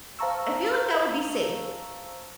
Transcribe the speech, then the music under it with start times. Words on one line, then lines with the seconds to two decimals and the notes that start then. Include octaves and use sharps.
I feel like that would be safe.
0.19 C5 F5 A5 A#5 C#6 E6